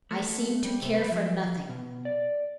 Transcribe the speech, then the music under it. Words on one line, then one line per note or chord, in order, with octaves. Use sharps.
I seemed to care for nothing.
A3
G3
C3
B4
F3
B2
D5